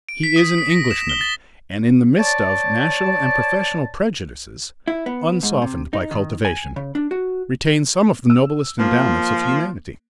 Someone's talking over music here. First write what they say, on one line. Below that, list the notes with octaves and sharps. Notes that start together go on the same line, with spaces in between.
He is an Englishman, and in the midst of national and professional prejudices, unsoftened by cultivation, retains some of the noblest endowments of humanity.
D7
B6
D#6
B6
A#6
E7
G7
A6
C#5 D5 A5
E4
B3
G#2
C3
D#4
D#3
G#5
C#3
D4
F#4
E6
F3 A#3